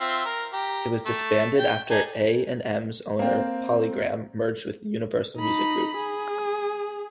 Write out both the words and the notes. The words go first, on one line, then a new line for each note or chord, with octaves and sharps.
It was disbanded after A and M's owner PolyGram merged with Universal Music Group.
C4 F4 E5
A#4
G4 A#5
A3
G5
D4 D#4 G#5
A#3 C4
D#4 B5
G#4